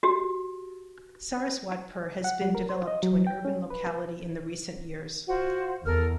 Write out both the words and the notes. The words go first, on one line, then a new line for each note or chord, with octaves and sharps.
Saraswatpur has been developed to an urban locality in the recent years.
F#4 G4
F#5
G3
A#4
C5
D#5
F#3
G5
C#4
B4
F4 F#4 C5
E2 A4 A#4 F6